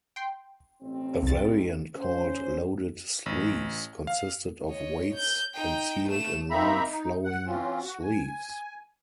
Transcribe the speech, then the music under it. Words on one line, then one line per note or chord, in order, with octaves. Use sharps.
A variant called "loaded sleeves," consisted of weights concealed in long, flowing sleeves.
G5 C6
A1 G2 C4
C2 A6
C#4 C5
A1
F5
C#5 D#5
G6
D#4 G5
A3 E7
A#3 C4 D#4 E5 A#5 B5
D#4
F#5
E3 C4 C#4 F4
F#4
G#5